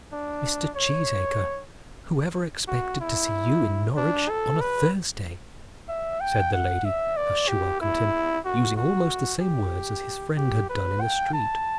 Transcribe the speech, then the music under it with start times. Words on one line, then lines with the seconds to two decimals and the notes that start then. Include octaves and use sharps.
"Mr. Cheesacre, whoever expected to see you in Norwich on a Thursday?" said the lady, as she welcomed him, using almost the same words as his friend had done in the street.
0.13 D4
0.76 C#5
2.68 F#4
3.00 E4
3.97 D4
4.29 A4
4.61 B4
5.89 E5
6.20 G5
6.53 F#5
6.85 E5
7.17 D5
7.48 G4
7.81 E4
8.45 F#4
8.77 F#4
9.41 G4
10.37 G4
10.69 B4
11.01 G5
11.33 A5